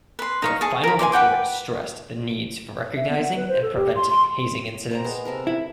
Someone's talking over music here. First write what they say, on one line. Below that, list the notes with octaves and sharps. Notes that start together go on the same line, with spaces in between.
Their final report stressed the needs for recognizing and preventing hazing incidents.
B4 C6
D#4 F5 C#6
G#4 A5 C#6
A#4 B5
G#5 A#5 C6 D6
B4 F#5 G5 D6
E5
B3
F#5
B4
C5
A4
G4
C6
C6
C5 G5 A#5
G#3 B3
C3 A4 A#4
E4 B5